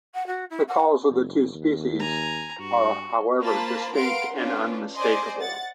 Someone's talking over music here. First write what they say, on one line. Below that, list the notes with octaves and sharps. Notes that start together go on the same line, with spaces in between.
The calls of the two species are however distinct and unmistakable.
F#5
F#4
E4
F#5
F#1
D#2
G#5 A#5
G2 F#4
A#3 F4 C5 A5 B5
A#4 B4 F5 F#5 C6 D7
C#4 D4 F4 B4
C5 D5 D#5 G#5 C6
F#5 A6